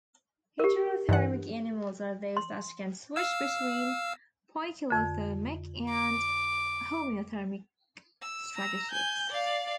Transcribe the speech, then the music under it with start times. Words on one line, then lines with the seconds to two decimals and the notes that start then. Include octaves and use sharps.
Heterothermic animals are those that can switch between poikilothermic and homeothermic strategies.
0.60 G4 A#4
1.09 G2 E3 F#5
2.37 C6
3.16 F5 E6
4.90 F2 D3
5.90 D6
8.21 E6
8.55 A#5 E6
8.91 G#5 G6
9.30 D5 F5